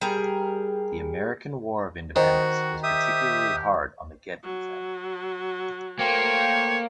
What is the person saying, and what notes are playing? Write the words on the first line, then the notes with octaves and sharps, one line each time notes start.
The American War of Independence was particularly hard on the Gedney family.
G3 G#4 A#4
D#3 F#4 C5 D#5 G5
G4 E5 D#6
F#3
A3 A#3 C5 C#5 G5